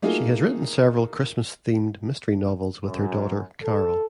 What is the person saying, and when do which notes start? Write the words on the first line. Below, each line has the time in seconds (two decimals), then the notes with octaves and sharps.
She has written several Christmas-themed mystery novels with her daughter, Carol.
0.02 A3 A#3 D#4 F4 F#4 G#4
2.85 F#2
3.63 A4